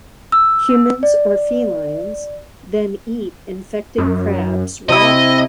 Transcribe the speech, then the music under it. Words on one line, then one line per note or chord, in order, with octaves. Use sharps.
Humans or felines then eat the infected crabs raw.
E6
D5
F#2
C3 E4 D#5